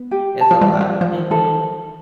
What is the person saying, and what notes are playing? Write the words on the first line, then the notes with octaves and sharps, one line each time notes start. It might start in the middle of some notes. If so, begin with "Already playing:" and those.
It's a lot. Mhm.
Already playing: B3
G4
A5
F3
E3 G3
D5
F3
F3 C5
E3 A4